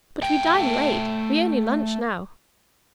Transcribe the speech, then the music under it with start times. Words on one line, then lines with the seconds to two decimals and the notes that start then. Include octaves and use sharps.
But we dine late, we only lunch now.
0.22 A3 G5